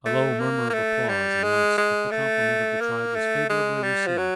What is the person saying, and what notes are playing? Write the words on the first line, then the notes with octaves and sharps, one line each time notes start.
A low murmur of applause announced that the compliment of the tribe was favorably received.
A3
A#3
A#3
A3
G3
G#3
G#3
A3
A#3
A3
G#3
G3
F3
F#3